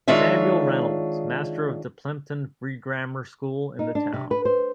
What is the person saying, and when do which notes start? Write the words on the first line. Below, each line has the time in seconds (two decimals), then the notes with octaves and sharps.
Samuel Reynolds, master of the Plympton Free Grammar School in the town.
0.08 D#3 G#3 D4 F4 C#5 E5
3.79 D#4
3.95 D4
4.13 C3
4.31 B4
4.45 C5